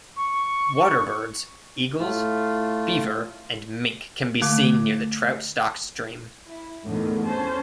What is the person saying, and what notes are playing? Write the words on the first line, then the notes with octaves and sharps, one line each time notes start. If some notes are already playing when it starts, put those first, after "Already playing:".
Water birds, eagles, beaver, and mink can be seen near the trout-stocked stream.
C#6
A2 A3 F4
D3 A3 D6
E4
E2 A2 D3 D#3
C#4 C5 A5